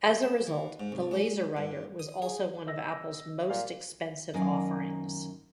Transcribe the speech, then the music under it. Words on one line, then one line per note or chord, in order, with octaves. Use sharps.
As a result, the LaserWriter was also one of Apple's most expensive offerings.
A5
E3
G#2
C2
G#3
G2
D#6
G#4
D#5 E6 A#6
A#2 F5
F#2 D#3 A#3 D#5 G#5